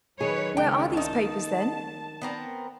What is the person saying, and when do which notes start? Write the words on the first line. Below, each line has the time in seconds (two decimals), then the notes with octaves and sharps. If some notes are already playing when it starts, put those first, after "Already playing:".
"Where are these papers, then?"
0.21 D#3 F#3 G#4 B4 C#5
0.57 C#2 G#2 C#3 G5
0.97 D#4 A5
2.22 B3 C4 A#4